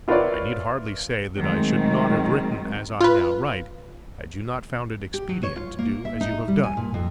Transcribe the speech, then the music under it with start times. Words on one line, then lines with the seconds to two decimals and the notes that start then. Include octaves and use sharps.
I need hardly say that I should not have written as I now write, had you not found it expedient to do as you have done.
0.08 E4 F4 A#4 B4 C#5 D5
1.36 D#3 F#3 G#3 A3 C4
3.01 F4 B4
5.14 G4
5.29 F#3
5.43 C#5
5.56 F4
5.79 A#3
6.05 E5
6.21 D#4
6.48 G3
6.63 G#5
6.77 A#2
6.94 F2